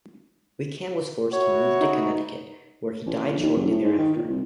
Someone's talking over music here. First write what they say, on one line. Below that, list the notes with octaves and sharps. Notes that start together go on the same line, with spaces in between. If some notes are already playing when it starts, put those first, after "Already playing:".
Wickham was forced to move to Connecticut, where he died shortly thereafter.
E4 F#4 C#5
D#4
A1
A#1
D#2
F#1
A2
G#2
D#3
A#2
C2